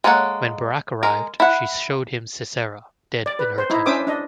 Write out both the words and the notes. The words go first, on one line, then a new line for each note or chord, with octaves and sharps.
When Barak arrived, she showed him Sisera, dead in her tent.
G#3 A#3 A4 C#5 F#5
G#3 A#4
E4 F#5
D5
B4
C5
D#4 E4
C#4 D4 C5 E5 D6 D#6
D4 D#5